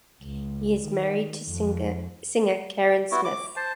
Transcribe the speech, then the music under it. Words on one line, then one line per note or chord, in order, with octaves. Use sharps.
He is married to singer Karen Smith.
C#2
D#3
F2
B3 E4 F#4
D6
C5 A5